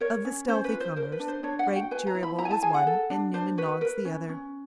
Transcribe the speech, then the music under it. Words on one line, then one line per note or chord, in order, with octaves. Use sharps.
Of the stealthy comers, Frank Cheeryble was one, and Newman Noggs the other.
A#4 C#5
C#4
C#4 C5
B4
F4
C5
A#4 C5
B4
D4
C5
D4 C#5
F#5
F#4
G5
B4 G#5
A#5
E4
B5
E4 A#5
G#5
A5
G#4 G#5
F#5
A4
D4
D4 C5
F#4 B4
A#4 B4
C#4
C#4